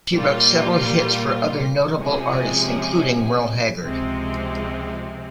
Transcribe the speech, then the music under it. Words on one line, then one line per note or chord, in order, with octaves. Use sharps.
She wrote several hits for other notable artists, including Merle Haggard.
A#2 G3 A#3 F4
C3 F3 G#3 C#4 G#4
C#2 C3 F3 G#3 C4